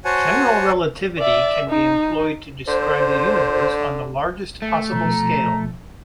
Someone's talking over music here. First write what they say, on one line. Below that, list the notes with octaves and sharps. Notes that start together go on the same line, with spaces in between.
General relativity can be employed to describe the universe on the largest possible scale.
F#4 C5 C#5 F#5 G#5 A5
D5 E5
D#4
D3 C5
A3
B2 F3 A#5